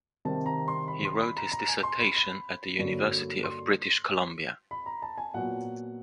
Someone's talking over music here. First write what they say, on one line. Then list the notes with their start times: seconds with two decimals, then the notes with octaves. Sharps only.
He wrote his dissertation at the University of British Columbia.
0.25 C3 D#3 G3 C4 A5
0.46 A#5
0.68 C6
0.88 B5
1.05 C6
1.20 B5
1.37 A#5
1.52 A#5
1.68 G#5
1.83 C6
2.00 B5
2.16 B5
2.79 G2 D3 F#3 A#3
3.44 C6
4.71 B5
4.86 A#5
5.02 A5
5.18 G#5
5.34 A#2 F#3 B3 F#5